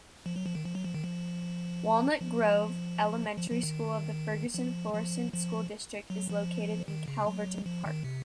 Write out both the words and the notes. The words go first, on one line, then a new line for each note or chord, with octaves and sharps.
Walnut Grove Elementary School of the Ferguson-Florissant School District is located in Calverton Park.
F3
F#3
F3
D#3
F3
F#3
F3
D#3
F3
F3
F3
F3
D#3
F3
F3
F3
F#3
F3
D#3
C#3
F#3
F3
D#3
C3